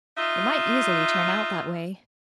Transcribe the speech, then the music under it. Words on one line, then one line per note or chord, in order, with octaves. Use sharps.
It might easily turn out that way.
D#4 F4 E5